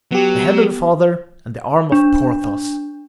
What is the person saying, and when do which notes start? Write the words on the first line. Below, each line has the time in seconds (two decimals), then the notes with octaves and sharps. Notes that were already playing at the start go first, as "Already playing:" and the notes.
The head of the father, and the arm of Porthos.
0.12 F#3 B3 G4
1.92 D4